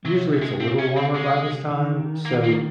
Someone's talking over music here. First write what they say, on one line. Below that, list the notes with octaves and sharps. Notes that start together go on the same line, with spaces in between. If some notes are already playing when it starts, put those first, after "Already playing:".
usually it's a little warmer by this time, so,
C3 F#3
G#3
C4
C#4
C4
G#3
D#3
A#3
A#3